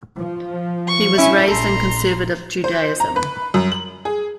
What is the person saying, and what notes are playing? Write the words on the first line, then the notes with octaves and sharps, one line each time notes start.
He was raised in Conservative Judaism.
F3
C#6
C#4 E4 E5 G#5
A#1 A4 A#5 C6
C5
A#5
B4
F#2
F#7
G#4